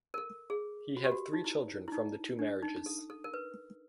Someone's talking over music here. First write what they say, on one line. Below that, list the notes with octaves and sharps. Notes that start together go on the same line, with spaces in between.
He had three children from the two marriages.
A#4
A4
G#4
F#4
G4
F#4
D#4
E4
E4
D#4
D4
D#4
A4
A4
A#4
B4